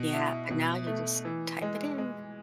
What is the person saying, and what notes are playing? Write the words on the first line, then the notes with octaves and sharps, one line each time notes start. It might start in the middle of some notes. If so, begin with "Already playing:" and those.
Yeah, and now you just type it in.
Already playing: B2
E4
B2
A3
E3
G#3
G#3